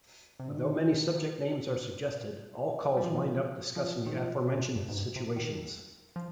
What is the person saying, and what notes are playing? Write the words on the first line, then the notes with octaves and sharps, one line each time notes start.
Although many subject names are suggested, all calls wind up discussing the aforementioned situations.
C3
D3
D#3
G3
F3
D#3
F3
F3
D#3
F3
C3
G2
G#2
G2
C3
D#3
F3